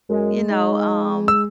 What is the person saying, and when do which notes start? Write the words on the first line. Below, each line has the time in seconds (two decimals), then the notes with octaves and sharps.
you know, um,
0.09 F#2 G#3
0.50 D#4
1.28 E6